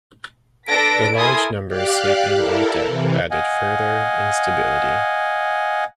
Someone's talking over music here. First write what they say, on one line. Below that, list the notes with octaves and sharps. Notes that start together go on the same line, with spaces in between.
The large numbers sleeping on deck added further instability.
D4 A4 B4 A#6 B6 D7
E4 A4 A#4 G#5 C6 D#6
G4 D5 F5 F#6
E4 A4 A#4
C3 E3
D#5 F5 F#5 G#5